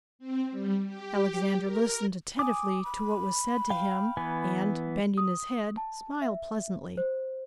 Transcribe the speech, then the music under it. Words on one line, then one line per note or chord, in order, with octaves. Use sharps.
Alexander listened attentively to what was said to him and, bending his head, smiled pleasantly.
C4
G3
G4
A#4
G#5 D6 D#6
B5
F5 G5
E3 B3 G#5
D#6
A5
E5
C5